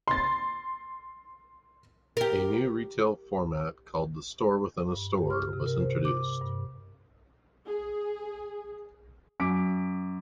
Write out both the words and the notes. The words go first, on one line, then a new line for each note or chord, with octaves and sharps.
A new retail format called the "store within a store" was introduced.
C6 A6
G4 A#4
G2
G4
F6
C3
A#4
C5
D6
G2
G#4
F#2 D6 B6 D7